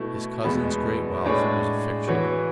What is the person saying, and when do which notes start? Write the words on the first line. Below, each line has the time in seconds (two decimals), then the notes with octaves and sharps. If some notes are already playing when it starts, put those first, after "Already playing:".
His cousin's great wealth was a fiction.
Already playing: B2 A3 E4
0.44 E2 B2 G#3 B3
1.25 A2 G#3 D4 G#4 C#5
2.08 E3 B3 F#4 C#5